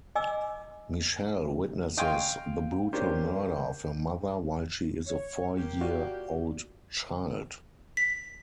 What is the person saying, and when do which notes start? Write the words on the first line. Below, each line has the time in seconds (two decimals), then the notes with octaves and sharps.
Michelle witnesses the brutal murder of her mother while she is a four-year-old child.
0.15 D#5 G#5 D6 E6
1.97 D#5 F5 G5 G#5 C6 C#6
2.93 A#3 C#4 D4 G4 C5
5.07 C#5
5.57 A#3 G4
5.81 F4 F#4 D5
7.97 B6